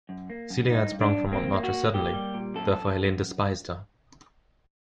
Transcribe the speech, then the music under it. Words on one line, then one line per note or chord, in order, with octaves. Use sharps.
Celia had sprung from Montmartre suddenly; therefore Helene despised her.
F#2
A#3
F#2
G2 D#4
G2
D4
G2
A#3 C4
A#3
F#4
A#3
A#3 G4
G3
A#2
F#2 A4
F#2
F#2